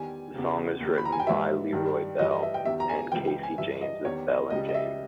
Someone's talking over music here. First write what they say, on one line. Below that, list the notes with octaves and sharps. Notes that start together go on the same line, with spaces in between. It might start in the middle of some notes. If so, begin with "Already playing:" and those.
The song was written by LeRoy Bell and Casey James of Bell and James.
Already playing: E2 D#3 G3 G#5
E2 C#3 G3
D#2 D#3 G3
B5
A#5
G#5
G5
G#2 E3 G3 E5
G2 D#3 G3
G2 E3 G3 D#5
D#5
E5
G5
E2 D#3 G3 E5
A#5
G#5
C#2 C#3 E3 G3 G5
G5
G#5
G2 E3 G3 E5
D#5
E2 D#3 G3 C#5
D#5
C#2 C#3 G3 D#5
D#5
E5